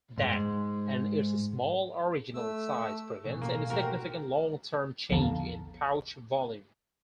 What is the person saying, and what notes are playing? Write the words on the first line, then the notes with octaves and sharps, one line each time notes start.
That, and its small original size, prevents any significant long-term change in pouch volume.
G#2 G#3
A3 E6
A1 B2
A#3
G3 F#4 G4 A#4 C5
A#1 E2 D3 F5 A5 A#5